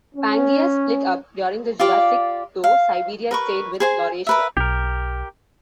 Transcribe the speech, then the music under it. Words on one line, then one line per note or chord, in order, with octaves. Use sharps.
Pangaea split up during the Jurassic though Siberia stayed with Laurasia.
C#4
F4 G4 D5 F5
F5
A#4 B4 C#6
G#4 C5 G#5
A#4 B4 E5
B1 G4 A#4